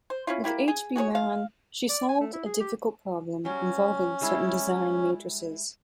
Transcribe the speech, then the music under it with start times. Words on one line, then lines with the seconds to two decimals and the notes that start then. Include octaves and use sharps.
With H. B. Mann, she solved a difficult problem involving certain design matrices.
0.10 C5
0.27 C#4 E4 F4
0.44 A#3 B3 E4 G4
0.68 G#4
0.96 F#4 G#4 A4 C#5
1.15 F5
1.89 D5
2.09 G#5
2.20 A3
2.33 E4
2.46 G#4
2.60 G4
3.45 F#3 G3 C#4
4.21 G3 G#3 E4